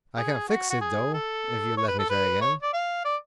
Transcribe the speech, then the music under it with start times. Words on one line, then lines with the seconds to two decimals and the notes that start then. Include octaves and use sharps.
I can fix it, though, if you'll let me try again.
0.17 G#4
0.49 F#4
0.70 F#4
0.81 G#4
1.13 A4
1.77 C#5
1.88 B4
1.99 A4
2.10 B4
2.41 C#5
2.63 D5
2.73 F5
3.05 D5